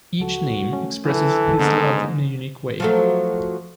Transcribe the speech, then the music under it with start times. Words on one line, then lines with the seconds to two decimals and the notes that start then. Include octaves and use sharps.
Each Name expresses His love in a unique way.
0.20 C#2 F#4 A4
0.72 A3 C#4
1.05 D3 E3 F#3 E4 A4
1.59 G#2 D3 A#3 B3
2.80 F3 F#3 A3